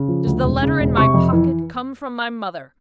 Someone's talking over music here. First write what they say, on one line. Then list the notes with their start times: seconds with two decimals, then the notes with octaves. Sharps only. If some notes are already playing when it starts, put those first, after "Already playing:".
"Does the letter in my pocket come from my mother?"
Already playing: C#3
0.08 F3
0.26 D2
0.44 E1
0.62 C#3
0.80 E1
0.97 C3 C#6
1.14 F2
1.32 E3